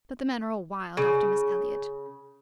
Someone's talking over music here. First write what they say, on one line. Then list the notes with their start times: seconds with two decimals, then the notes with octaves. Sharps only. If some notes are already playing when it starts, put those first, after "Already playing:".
But the men are all wild after Miss Elliot.
0.97 C#3